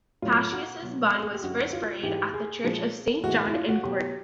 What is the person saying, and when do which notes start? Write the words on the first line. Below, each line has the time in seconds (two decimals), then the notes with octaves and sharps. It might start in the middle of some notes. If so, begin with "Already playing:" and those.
Paschasius' body was first buried at the Church of Saint John in Corbie.
0.22 A2 F#3 F4
0.52 F#4
0.82 B2 F#3
1.23 G#4
1.33 G4
1.43 F#2 D3 F#3 F#4
1.73 F4
2.03 G#2 E3 G#3 G4
2.33 G#4
2.64 A#2 F3 G#3
3.23 A2 E3 G#3 F#4
3.46 E4
3.54 F4
3.69 F#4
3.84 B2 F#3 G4